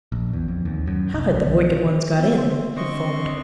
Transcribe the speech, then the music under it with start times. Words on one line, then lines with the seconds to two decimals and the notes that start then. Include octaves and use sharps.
"How had them wicked ones got in?" he foamed.
0.12 A#1
0.33 E2
0.48 F2
0.65 D#2
0.87 F#2
1.14 C2
1.34 B1
2.19 B3 E5
2.38 C5
2.77 D3 C4 D#5 C#6